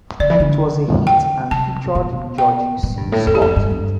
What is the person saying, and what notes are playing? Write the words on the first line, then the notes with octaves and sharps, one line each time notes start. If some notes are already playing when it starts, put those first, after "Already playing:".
It was a hit and featured George C. Scott.
D3 D5
E3
D3
G5
C3 A5
B2
G5
B2
G2
A2
F2 A4
G4
F2 A4
G2
G2